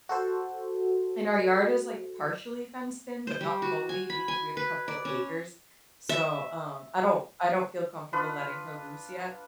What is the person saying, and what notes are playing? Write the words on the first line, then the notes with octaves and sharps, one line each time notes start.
and our yard is, like, partially fenced in, but not fully because we have a couple acres, so, um, I don't I don't feel comfortable letting her loose yet.
F#4 A4 C5
C5
G3
F#4
G#5
B5
G#5
B4
D5
C#4
E5
D4 F4 B4 D#6